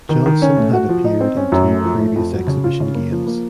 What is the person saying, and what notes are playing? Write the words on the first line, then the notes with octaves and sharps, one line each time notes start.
Johnson had appeared in two previous exhibition games.
D#3
D#3
C#4
A3
F#4
F3
D#4
C4
C#4
F#2
A3
F3
A3
F2
F#3
C#3
F4
C#3
A#3
F3
A#3